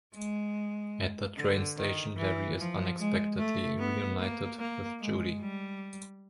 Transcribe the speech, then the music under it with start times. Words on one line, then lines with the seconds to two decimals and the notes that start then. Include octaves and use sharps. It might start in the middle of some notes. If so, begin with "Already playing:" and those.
At the train station, Larry is unexpectedly reunited with Judy.
0.15 G#3
1.36 D3
1.77 D#3
2.17 E3
2.58 F3
2.98 G#3
3.38 A3
3.78 B3
4.19 A#3
4.60 A#3
5.00 G#3
5.40 G3